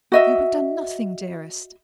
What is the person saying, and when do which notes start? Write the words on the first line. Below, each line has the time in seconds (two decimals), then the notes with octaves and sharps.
"You have done nothing, dearest."
0.12 F#4 D#5 E5